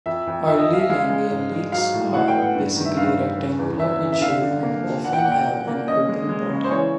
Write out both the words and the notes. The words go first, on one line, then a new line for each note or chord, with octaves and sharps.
Early langeleiks are basically rectangular in shape, and often have an open bottom.
F2 E5
F2
F2 E5
D#5
F2 F5
E5
G#3 F5
G#3
G#2
G#3
F#3 F5
A2
A2 F#5
G5
B3
F#5
G2
D#3
E5
G2 F5
G2
C#3
E2
E2 E5
E3
E5
D3 F5
D3
A#3
F3
A#2 F#5
G5
F#5
A#3
G5
A#2
A#3
C#4 D#5
G#3
G#3
C#3
C5
E3 C#5